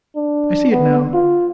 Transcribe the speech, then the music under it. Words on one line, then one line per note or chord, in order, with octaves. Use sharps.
I see it now.
D4
B3
F4